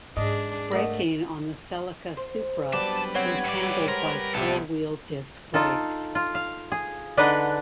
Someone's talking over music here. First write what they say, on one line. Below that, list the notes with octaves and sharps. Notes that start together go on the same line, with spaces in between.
Braking on the Celica Supra was handled by four-wheel disc brakes.
G#2 D4 G#4 D#5
A3 A#4 D5 D#5 F#5
C5
F#3 G3 B3 D4 B4 A5 D6
C4 C#5 F#5 G#6
A2 D5
G#3 A#4 C5
C2 B3 E4 G4 A4
D#4 F4 A4
F4
F5
G#4
D3 D4 D#4 B4 D#5 F#5